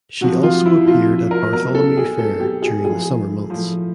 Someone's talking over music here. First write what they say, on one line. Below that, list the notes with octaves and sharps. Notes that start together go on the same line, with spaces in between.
She also appeared at Bartholomew Fair during the summer months.
C3 F3 F#4
F4
E4
C3 F3 F4
A#4
B2 F#3 A#4
A4
G#4
B2 F#3 A4
G4
G#4
A2 F3 G#4
A2 F3